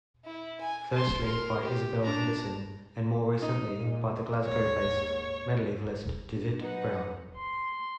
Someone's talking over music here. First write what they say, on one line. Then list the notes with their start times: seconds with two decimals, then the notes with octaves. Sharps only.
Firstly by Isabel Henderson, and more recently by the Glasgow-based medievalist Dauvit Broun.
0.25 E4
0.61 G#5
0.91 A5 C6
1.24 A#4 C6
1.62 G4
2.03 D4 A#5
3.42 D#4
3.79 A#2
4.45 D#2 G#2 C#5
6.27 A#3 D4
6.61 F#3 D#4 B4 F#5
7.36 C6